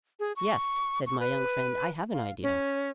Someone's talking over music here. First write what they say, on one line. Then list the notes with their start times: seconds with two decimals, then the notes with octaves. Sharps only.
"Yes," said my young friend; "I have an idea."
0.20 G#4
0.36 C#6
1.06 C#6
1.20 B4
2.13 F5
2.43 C#4